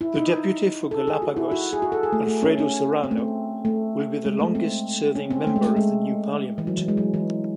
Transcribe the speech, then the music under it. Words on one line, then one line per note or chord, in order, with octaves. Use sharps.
The deputy for Galápagos, Alfredo Serrano, will be the longest-serving member of the new parliament.
E4
D#4
A4
G#4
F#4
E4
F#4
G#4
F#4
A4
G#4
A3
A3
C#4
C#4
C4
A3
C4
A3
G#3
A3
C4
C#4
C4
A3
G#3
A3
G#3
E3
F#3
E3
G#3
F#3
E3